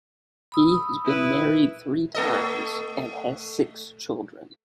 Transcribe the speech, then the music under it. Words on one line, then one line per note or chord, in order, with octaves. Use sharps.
He has been married three times, and has six children.
B5 D#6 E6
E4 B4
A3 A4 D#5